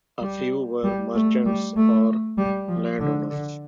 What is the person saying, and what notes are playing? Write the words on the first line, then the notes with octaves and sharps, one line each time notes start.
A few were merchants or landowners.
G3
G3
A3
G3
A3
G3
F3
D3
D3